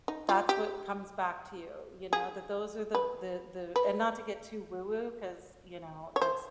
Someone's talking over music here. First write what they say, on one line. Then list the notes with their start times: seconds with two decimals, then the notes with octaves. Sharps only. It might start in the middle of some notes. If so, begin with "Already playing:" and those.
that's what comes back to you, you know, that those are the the the and not to get too woo-woo 'cause, you know, that's
0.08 D#4
0.29 F4
0.49 G4
2.13 G#4
2.95 B4
3.76 B4
6.16 C#5
6.22 C5